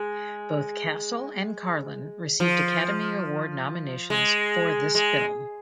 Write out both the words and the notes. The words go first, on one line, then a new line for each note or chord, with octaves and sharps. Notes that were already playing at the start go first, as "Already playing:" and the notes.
Both Cassel and Carlin received Academy Award nominations for this film.
Already playing: G#3
F3
G#3
G#3